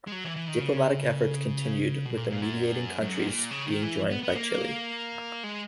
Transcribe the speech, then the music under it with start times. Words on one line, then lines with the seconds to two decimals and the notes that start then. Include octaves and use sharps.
Diplomatic efforts continued, with the mediating countries being joined by Chile.
0.07 G#3
0.12 F#3
0.25 E3
0.36 E3
0.48 D#3
0.60 C#3
2.05 B2
2.17 A#2
2.29 A#2
2.41 F#2
3.02 F#2
3.27 A#2
3.51 C#3
3.66 D#3
3.82 E3
4.10 B3
4.23 B3
4.34 A#3
5.44 G#3